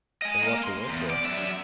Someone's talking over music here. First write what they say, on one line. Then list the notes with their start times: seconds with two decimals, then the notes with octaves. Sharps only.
And what the winter?
0.22 D#5 G#5
0.43 A#3
0.63 C6
0.88 E2
1.10 D5
1.25 F#2 E5